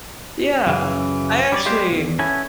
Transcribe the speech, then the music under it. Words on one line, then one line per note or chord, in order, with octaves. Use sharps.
Yeah. I actually
F#2 C#3 E3
G3 C#5 D5
G3 G#3 F4 G4 C5
B1 E2
B3 C#4 E4 A4 G#5